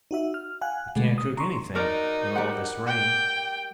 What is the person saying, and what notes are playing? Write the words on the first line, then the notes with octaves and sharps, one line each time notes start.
We can't cook anythin' in all this rain.
D#4 F#4 E5
F6
F5 F#5 G#5 F#6
B2 D3 G#3 A3
D#6
A#5 C6 C#6
D#4 F#4 A#4 D5
G3 G4 F#5
G5